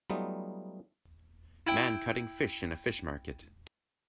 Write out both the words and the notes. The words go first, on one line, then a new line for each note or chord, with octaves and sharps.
Man cutting fish in a fish market.
F#3 G3 A3 B3 D#4 F4
E4 G5